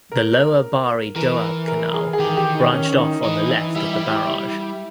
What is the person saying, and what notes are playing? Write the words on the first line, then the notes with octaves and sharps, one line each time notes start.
The Lower Bari Doab Canal branched off on the left of the barrage.
A#4
E3 A#4
A#4
G#4
G#4
D#3 G4
G4
D#4
C#4
D#4
E3 D#4
E4
G3 E4
E4
G4
E4